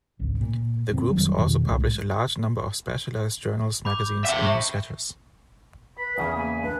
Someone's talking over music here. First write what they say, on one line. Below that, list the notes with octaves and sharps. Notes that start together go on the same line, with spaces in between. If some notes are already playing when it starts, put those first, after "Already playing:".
The groups also publish a large number of specialized journals, magazines, and newsletters.
G#1 C#2
A#2
F#2 C#3 B3 C4
F1 D#3 F#3 G3
F2 B2 D#3
C2 A2 G#3
B5 D6 G6
E5 G5 B6
C#6 A#6
B4 B5
E2 C#3 G#5 D#6
A#3 G#5 B5
D4 B4